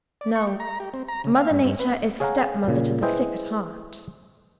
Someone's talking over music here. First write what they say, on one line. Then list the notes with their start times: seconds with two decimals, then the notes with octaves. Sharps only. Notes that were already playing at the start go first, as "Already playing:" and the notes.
No! Mother Nature is stepmother to the sick at heart.
0.21 D5
0.35 C#6
0.47 G4
0.60 A#5
0.80 G4
0.94 C4
1.08 A#5
1.24 C#3
1.36 F5
1.51 G2
1.65 G2
1.80 B4
2.20 G#4 C#5 F5 F#5 G#5 A#5
2.68 A#2 C#3
3.02 E4 G#4 B4 C5 D#5 G5